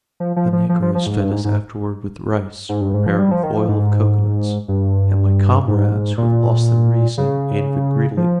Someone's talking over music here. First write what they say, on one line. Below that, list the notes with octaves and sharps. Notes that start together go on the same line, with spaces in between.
The negroes fed us afterward with rice, prepared with oil of cocoanuts; and my comrades, who had lost their reason, ate of it greedily.
F3
F3
F3
F3
F3
F3
G#2
G2
G#2
G#2
G#2
G2
G#2
F3
G3
F3
D#3
F3
G#2
G2
G#2
A#2
C#3
F3